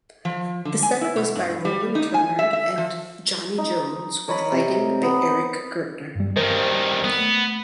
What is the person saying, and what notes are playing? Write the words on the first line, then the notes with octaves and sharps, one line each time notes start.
The set was by Roland Turner and Johnnie Jones with lighting by Eric Gertner.
F3
D3
G#5
E4
B2
G2
G3
D#4
G#5
E5
E5
F3
D#4
A#4 C#5 D#5 B5
C3
B3
G2 G3
G2 D#3 A#4 C5
B3
A3